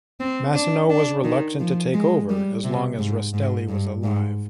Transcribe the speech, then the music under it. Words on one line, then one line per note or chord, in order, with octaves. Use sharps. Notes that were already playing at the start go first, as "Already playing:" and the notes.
Massino was reluctant to take over as long as Rastelli was alive.
C4
D4
D4
D#3
F3
G#3
G3
C3
G#2
G#2
G2
G#2